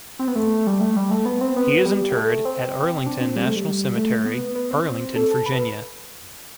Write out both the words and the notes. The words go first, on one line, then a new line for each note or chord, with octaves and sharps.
He is interred at Arlington National Cemetery, Arlington, Virginia.
C4
B3
A3
G3
A3
G3
A3
B3
C4
B3
G3
G3
A3
C4
D4
C4
G3
A3
G3
A3
B3
B3
C4
C4
A4
A4
B4